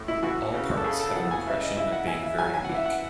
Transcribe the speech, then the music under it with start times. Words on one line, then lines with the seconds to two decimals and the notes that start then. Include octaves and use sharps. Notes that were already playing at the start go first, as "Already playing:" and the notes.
All parts have an impression of being very weak...
Already playing: A2
0.08 E4
0.23 E3 F#4
0.54 C#3
0.77 A4
0.84 C#3 G#4
0.99 A4
1.16 E3 F#5
1.31 G#5
1.47 C#3 E5
1.62 D#5
1.77 E4 E5
1.92 F#5
2.07 E4 G#5
2.23 E5
2.39 F#3 G#5
2.54 G#5
2.64 E3 F#5
2.75 E5
2.86 F#5